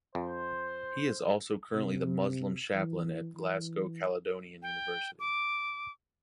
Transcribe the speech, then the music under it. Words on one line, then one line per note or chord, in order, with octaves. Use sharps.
He is also currently the Muslim Chaplain at Glasgow Caledonian University.
F2 C5
C3
E3
E3
G5
D6